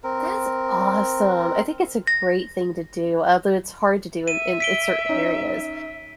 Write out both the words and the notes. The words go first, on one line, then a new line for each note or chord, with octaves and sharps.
That's awesome. I think that's a great thing to do, although it's hard to do in in in certain areas.
C4 A#4
A#6
E5 D#7
B6 D7 G7
C#4 D#4